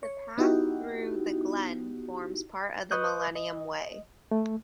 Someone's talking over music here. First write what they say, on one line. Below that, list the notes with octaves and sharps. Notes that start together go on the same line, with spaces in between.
The path through the glen forms part of the Millennium Way.
C#5
B3 D#4 E4 F#4 G4
B4 D#5 C#6 D#6 F#6 G6
D#5
A3